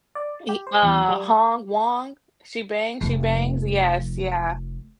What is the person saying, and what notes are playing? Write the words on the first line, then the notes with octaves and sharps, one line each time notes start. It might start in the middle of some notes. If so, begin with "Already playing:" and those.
Ee uh, Hong Wong, "She Bangs, She Bangs" yes. Yeah.
D5
G4
C5
E2
G3
F1 F2